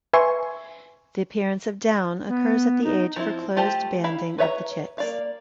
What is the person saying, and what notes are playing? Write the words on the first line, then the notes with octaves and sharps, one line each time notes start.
The appearance of down occurs at the age for closed banding of the chicks.
B4 E5 G#5 C6 C#6
B3
D#4
F3 C4 E4 F4
A3 F4 G4 C5 A5
E4 F5 B5
B4 C#5 E5 F#5 A#5
A#3 D5 F5